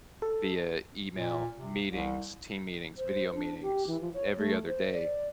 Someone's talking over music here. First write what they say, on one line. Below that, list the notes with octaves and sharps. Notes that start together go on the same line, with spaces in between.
via email, meetings, team meetings, video meetings every other day,
A4
A#2
C3
C2
C5
D4
G4
E3
F3
C#5
A3
C5
D5